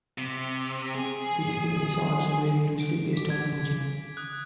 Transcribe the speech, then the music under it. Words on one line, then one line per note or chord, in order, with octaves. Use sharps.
This film is also very loosely based on the original.
C3
G#4
D7
D6 B6
G#6
D#6 F#6